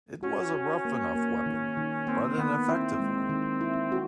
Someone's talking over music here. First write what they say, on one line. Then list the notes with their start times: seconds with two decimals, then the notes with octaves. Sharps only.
It was a rough enough weapon, but an effective one.
0.23 C#4 F#4
0.53 F#4
0.85 A#3
1.15 A#3
1.46 D#3
1.77 D#3
2.07 A#3 C4
2.38 D#3 B3
2.68 C4 E4
2.99 G#3
3.29 D#3
3.61 E4
3.92 F#4